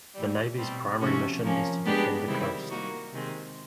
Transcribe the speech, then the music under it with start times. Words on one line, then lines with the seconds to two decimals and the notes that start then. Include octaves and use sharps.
The Navy's primary mission is to defend the coast.
0.15 A2 E3 G3
0.58 B2 G3 C4
1.00 C3 F3 A3 C#4 F#4
1.43 F3 A#3 C#4
1.85 G#3 B3 D4 G4 B4
2.27 C3 D#3 G3 C4 E4
2.70 G3 A#3 D#4 F#4
3.12 C3 D#3 G#3 C4